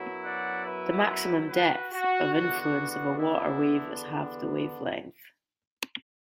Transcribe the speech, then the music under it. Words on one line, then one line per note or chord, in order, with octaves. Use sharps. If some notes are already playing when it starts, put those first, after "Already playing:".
The maximum depth of influence of a water wave is half the wavelength.
Already playing: F#2 F#3 B3 E4
D5 F#5
B4 E5
F#4 B4
F#4
E2 D3 B3 D4 F#4
F#4
F#4
E4